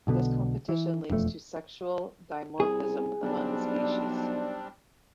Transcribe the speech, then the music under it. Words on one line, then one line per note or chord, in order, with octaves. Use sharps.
This competition leads to sexual dimorphism among the species.
B1 B2 D3 B3
E3
E1 F2 E3 A3
C2 G#4
B1 G3 C4 D4